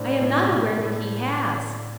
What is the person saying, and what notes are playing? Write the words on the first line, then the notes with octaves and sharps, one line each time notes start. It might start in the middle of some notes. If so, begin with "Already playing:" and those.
"I am not aware that he has."
Already playing: A2 D4 C5
A2
A2
A2